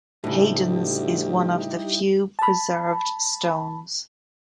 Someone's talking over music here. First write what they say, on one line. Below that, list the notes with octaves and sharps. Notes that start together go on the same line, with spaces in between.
Haydon's is one of the few preserved stones.
D2 A2 C#3 G3 D#4 E4 G4
A5 B5